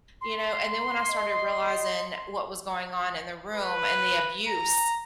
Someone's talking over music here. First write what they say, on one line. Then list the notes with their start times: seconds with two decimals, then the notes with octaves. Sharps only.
You know, and then when I started realizing what was going on in the room and the abuse
0.21 C6
1.10 D#5
3.55 B4
4.47 A#5